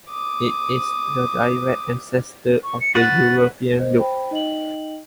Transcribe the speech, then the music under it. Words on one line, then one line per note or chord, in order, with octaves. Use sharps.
It is the direct ancestor of the European lute.
D6 D#6
C#6
C#7
F#4 B4 F#5 A6
A#4 C5 D#5
C5 G5 B5
D#4 D#5 G5 F#7